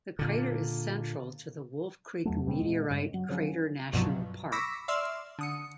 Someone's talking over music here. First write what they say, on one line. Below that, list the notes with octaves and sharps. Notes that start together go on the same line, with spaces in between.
The crater is central to the Wolfe Creek Meteorite Crater National Park.
A#2 D3
E2 F#3 A3
D#2 B2 G3 C4
A#2 G#3
G2 C#3
F#3
C#3 F3 F#3 C#4
C2 G2 B2 F3 F#3
B5 C#6 D6 E6 A#6 B6
D5 E5 C6 E6 F6
D3 D#6 C#7